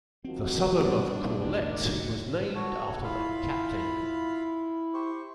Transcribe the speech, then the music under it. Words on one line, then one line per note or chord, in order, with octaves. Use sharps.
The suburb of Corlette was named after the captain.
D#3 F3 C4 F#4
B2 G3 A#3 D4
E1 A1 E2 D#3 D#4
F#3
F#4 A4 C#5
E4 F4 F5 B5
G4 C5 C#6